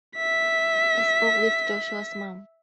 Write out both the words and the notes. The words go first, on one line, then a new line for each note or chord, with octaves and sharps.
I spoke with Joshua’s mom.
E5 B6